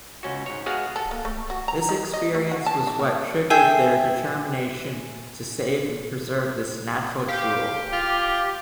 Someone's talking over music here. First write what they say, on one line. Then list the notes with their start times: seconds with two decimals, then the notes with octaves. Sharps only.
This experience was what triggered their determination to save and preserve this "natural jewel".
0.23 C#2 C#4 F#4
0.46 G#2 C#5
0.66 G#3 B3 F#4 G#4 F5 F#5
0.96 A4
1.11 A#3
1.25 A3
1.50 F#4
1.68 A#5
1.89 D#4
2.13 D#5
2.35 A3
2.51 F#4
2.66 A5
2.87 E3
2.99 A#3
3.50 G#4 E5 G5
7.28 G4 F5
7.93 F4